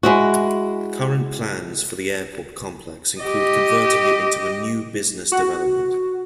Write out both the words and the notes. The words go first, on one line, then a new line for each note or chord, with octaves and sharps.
Current plans for the airport complex include converting it into a new business development.
G#3 E4 F#4
G4 D#5
F#4